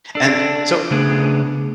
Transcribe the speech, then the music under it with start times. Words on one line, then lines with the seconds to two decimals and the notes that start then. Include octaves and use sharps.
And so
0.15 D4 A4
0.91 C#3 A3 B3 D4 G#4